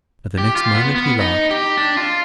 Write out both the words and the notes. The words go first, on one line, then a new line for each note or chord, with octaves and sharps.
But the next moment he laughed.
G4
F4
B3
B3
D#4
G4
D4
F4